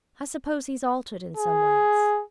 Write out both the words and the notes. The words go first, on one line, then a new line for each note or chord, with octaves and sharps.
'I suppose he's altered in some ways?'
G#4